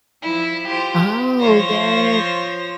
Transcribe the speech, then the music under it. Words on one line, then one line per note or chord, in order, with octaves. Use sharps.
Oh, yes.
F3 E4
F4 G4 C5
F3 F4 C5 C#5 A#6